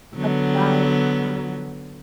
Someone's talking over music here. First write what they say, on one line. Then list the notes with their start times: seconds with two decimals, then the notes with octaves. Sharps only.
about, um
0.16 D3 F#3 B3